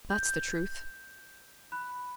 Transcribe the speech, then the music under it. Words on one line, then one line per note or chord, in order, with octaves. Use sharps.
That's the truth.
G6
B5 F#6